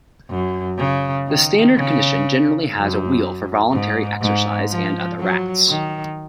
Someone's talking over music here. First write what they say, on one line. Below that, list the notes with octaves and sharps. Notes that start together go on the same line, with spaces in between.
The standard condition generally has a wheel for voluntary exercise and other rats.
F#2
C#3
D#3
C#3
F#2
G#2
G#2
F3
F#3
D#3